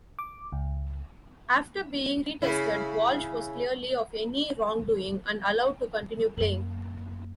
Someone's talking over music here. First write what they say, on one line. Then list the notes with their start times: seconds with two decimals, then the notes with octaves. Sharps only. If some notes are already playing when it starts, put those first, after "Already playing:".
After being retested, Walsh was cleared of any wrongdoing and allowed to continue playing.
0.19 D6
0.52 C#2
2.42 C#3 E4
6.37 F#2 A#3